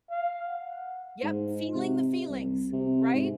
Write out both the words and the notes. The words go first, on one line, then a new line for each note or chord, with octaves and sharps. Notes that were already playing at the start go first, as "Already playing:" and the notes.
Yep, feeling the feelings, right?
F5
F#5
G#2
C3
C2
C3
G#2